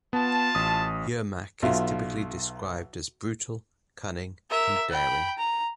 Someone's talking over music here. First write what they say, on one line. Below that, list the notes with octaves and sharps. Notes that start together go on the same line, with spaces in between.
Yermak is typically described as brutal, cunning, and daring.
B3 F4 A5
A1 D#6
B1 B2 F4 E5
A#4 E5
G5 B5
A#5